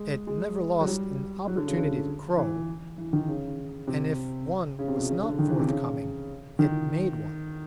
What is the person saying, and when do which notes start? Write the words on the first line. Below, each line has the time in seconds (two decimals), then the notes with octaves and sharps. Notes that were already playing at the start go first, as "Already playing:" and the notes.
It never lost an opportunity to crow, and if one was not forthcoming, it made one.
Already playing: G#3
0.27 G#3
0.81 F#3
0.87 G3
1.48 F#3
1.57 D3
1.67 C#3
1.78 D3
2.37 E3
2.98 E3
3.13 D#3
3.28 C#3
3.88 C3
4.79 C#3
4.88 C3
4.98 B2
5.09 C#3
5.23 D3
5.39 D#3
5.48 E3
5.59 C3
5.68 C#3
6.59 D#3